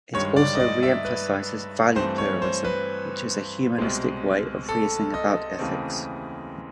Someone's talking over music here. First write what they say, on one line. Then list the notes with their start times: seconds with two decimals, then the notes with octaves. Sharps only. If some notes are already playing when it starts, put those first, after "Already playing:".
It also re-emphasises value-pluralism, which is a humanistic way of reasoning about ethics.
0.14 G2 D#3 G#3 C#5
0.36 D5
0.55 D#5
0.60 D5
0.83 E5
1.05 B4
1.96 G2 E3 A3 C4 C5
2.18 C#5
2.42 C5
2.65 B4
3.78 C2 B2 G#3 C4
4.69 A4
5.14 D#5
5.59 D#2 C#3 E3 A3 C4